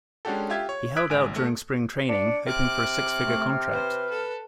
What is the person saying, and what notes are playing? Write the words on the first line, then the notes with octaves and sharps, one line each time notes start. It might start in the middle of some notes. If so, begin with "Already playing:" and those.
He held out during spring training, hoping for a six-figure contract.
G#3 C#4 D4 F#4 G4 A4
F4 G4 E5 G#6
C#5
D#6 E6 F#6 G#6 B6 D7
G#1 G#5 D7
A3
D4 C#7
C3 D6 F6 F#6
A3
B4 C5
A4